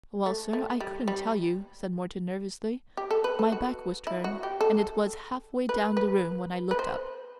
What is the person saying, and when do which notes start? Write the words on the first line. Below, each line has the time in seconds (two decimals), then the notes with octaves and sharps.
"Well, sir, I couldn't tell you," said Morton nervously; "my back was turned, and it was halfway down the room when I looked up."
0.26 A3
0.53 A3
0.80 G3
1.08 G3
2.97 G4
3.11 A4
3.24 B4
3.39 A4
3.52 F#4
4.07 E4
4.24 F#4
4.43 G4
4.61 A4
5.69 B4
5.97 B4
6.71 B4
6.79 C5